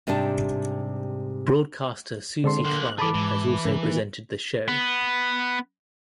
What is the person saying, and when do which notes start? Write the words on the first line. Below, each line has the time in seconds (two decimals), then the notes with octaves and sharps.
Broadcaster Suzy Klein has also presented the show.
0.07 G#2 C3 G3 D4 G4
2.44 D3 G#3 C4 D4 A4 C6
2.64 A#3 C5 F#6
2.98 E3 G#4 A4 A5 B5 D6
3.14 G#2 E3
3.65 G#2 C#3 A#4
3.83 D#3 A#3
4.68 B3